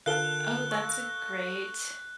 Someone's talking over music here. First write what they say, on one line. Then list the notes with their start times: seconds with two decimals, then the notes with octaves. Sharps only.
Oh, that's a great
0.06 D3 F4 A4 A#4 F5 F#6 G7
0.71 C#6 E6 A#6